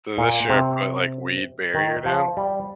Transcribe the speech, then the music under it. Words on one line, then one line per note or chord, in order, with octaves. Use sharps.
So this year I put, like, weed barrier down
A#2
C3
D#3
F3
G3